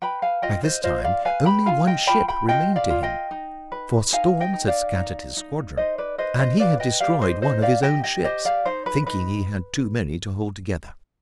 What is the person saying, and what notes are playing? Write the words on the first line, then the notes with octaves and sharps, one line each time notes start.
By this time only one ship remained to him, for storms had scattered his squadron and he had destroyed one of his own ships, thinking he had too many to hold together.
B4 G5 B5
F5 G#5
F4 D#5 G5
C5 D#5
F4 C5 D#5
D5 F5
B4 F5 G#5
G5 B5
F4 F5 G#5
D#5 G5
F4 G5 B5
G5 B5
F4 D#5 G5
D5 F5
F4
D#5 G5
D#4
B4
D#4 F5 G#5
D#5 G5
D#4
D5 F5
D#4
D#4
D#4 C5 D#5
B4 D5
B4 C5 D#5
C5 D#5
B4 D5 F5
D#5 G5
G4 D5 F5
C5 D#5
D#4 C5 D#5
D5 F5
G4 D#5 G5
D#5 G5
G4 C5 D#5
D5 F5
D#4 C5
B4
D#4 B4